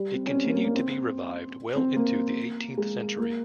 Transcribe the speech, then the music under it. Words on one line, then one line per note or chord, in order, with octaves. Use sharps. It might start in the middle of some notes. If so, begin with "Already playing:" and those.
It continued to be revived well into the eighteenth century.
Already playing: G3
C4
C#4
C4
A#3
A#3
A#3
C4
C4
A#3
G#3
A#3